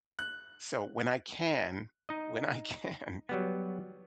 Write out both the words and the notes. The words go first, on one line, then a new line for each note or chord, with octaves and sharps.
So, when I can when I can,
F#6
D#4 D#5
F#3 G3 B3